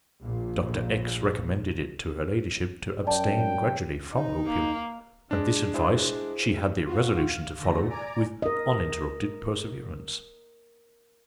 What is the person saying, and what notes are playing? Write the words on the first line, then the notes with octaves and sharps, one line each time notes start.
Dr. X---- recommended it to her ladyship to abstain gradually from opium, and this advice she had the resolution to follow with uninterrupted perseverance.
A#1 A#2
F#2 D5 G5 A5
D#4
A#3
G#3 D4
E4 G#4 C5
F4 F#4
F5
D3 A3 A#6
D5 G#5 A#5 D7
A#4 D#5